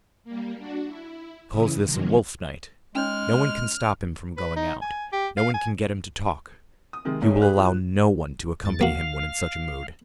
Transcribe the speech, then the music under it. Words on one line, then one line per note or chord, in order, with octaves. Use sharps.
He calls this a 'wolf night.' No one can stop him from going out; no one can get him to talk; he will allow no one to accompany him when in such a mood.
G3 A#3
D4 F#4
E4
C#3 E3 E4 D#6
C3 D#3 F3 F#3 G#3 A#3
G#3 C#4 D#4 C#5 F6
B4
D#4
G#5
G4
F5
G#5
D#6
C3 D#3 G#3
G#2 A3 C#4
G4 G#4 B4 F#6
F3
E2 A6
A#3 F#4 F5